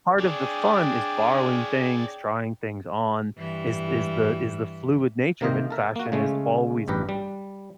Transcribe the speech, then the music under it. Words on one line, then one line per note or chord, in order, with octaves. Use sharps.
part of the fun is borrowing things, trying things on, is is the is the fluid nature of it, fashion is always,
D4 G#4 C#5 D5 G5
G2 E3
C3 D#3 A#3 A#4 C5 D#5
A4 A#4 E5
A#3 F#4
C#3 G#3 A3 C#4
A1 G2 G4 B4 A#5
G3